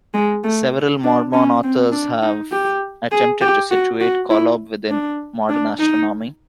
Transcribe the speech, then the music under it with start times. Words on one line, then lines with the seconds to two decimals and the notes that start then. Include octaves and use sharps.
Several Mormon authors have attempted to situate Kolob within modern astronomy.
0.14 G#3
0.44 A3
1.04 D4
1.33 C#4
1.63 C4
1.92 D4
2.22 D#4
2.52 G4
3.11 G#4
3.41 G4
3.71 F#4
4.01 F#4
4.30 E4
4.90 D4
5.49 D4
5.79 D#4